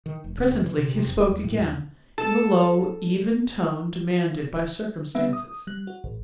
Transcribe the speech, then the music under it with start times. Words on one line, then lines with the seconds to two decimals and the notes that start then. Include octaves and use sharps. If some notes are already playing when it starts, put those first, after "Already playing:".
Presently he spoke again, in the low, even tone demanded by circumstances.
0.06 D#3
0.24 F1
0.38 C#3
0.51 D#2
0.64 E3
0.78 C3
0.94 C3
1.07 F2
1.18 G#3
1.31 D#2
1.44 A2
1.58 D#2
2.18 A4 A5
5.15 G3 B3 B4 E5
5.33 D#6
5.67 G3 F#6
5.87 F#4
6.04 A1